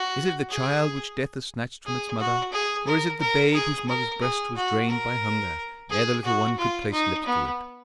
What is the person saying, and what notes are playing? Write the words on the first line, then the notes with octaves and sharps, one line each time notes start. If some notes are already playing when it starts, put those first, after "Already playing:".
Is it the child which death has snatched from its mother, or is it the babe whose mother's breast was drained by hunger ere the little one could place lips to it?
Already playing: F#4
G#4
G#4
F#4
G#4
A#4
A#4
G#4
A#4
G#4
F#4
A#4
G#4
F#4
F4
D#4
B3